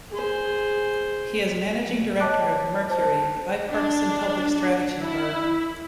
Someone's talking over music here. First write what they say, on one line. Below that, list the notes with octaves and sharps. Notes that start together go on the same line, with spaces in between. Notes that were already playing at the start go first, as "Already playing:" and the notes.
He is managing director of Mercury, a bipartisan public strategy firm.
G#4 C5
C#5 D#5 A5 D6 F#6
C5 A5
D4
E4